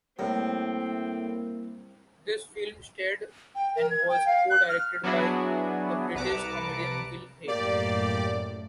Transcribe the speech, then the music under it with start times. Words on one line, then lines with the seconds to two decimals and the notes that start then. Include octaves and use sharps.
This film starred, and was co-directed by, the British comedian Will Hay.
0.19 A2 G3 A#3 C4 E4 A#4
3.55 G5
3.76 A#4
3.90 G#6
4.09 G5
4.26 F5
4.50 F#6
4.69 F6
5.04 F#3 B3 D4 E4 F#4 G#4
6.15 C2 B4 A5 A#5 D6 C#7
7.48 F#2 A2 G3 A#3 G4 D5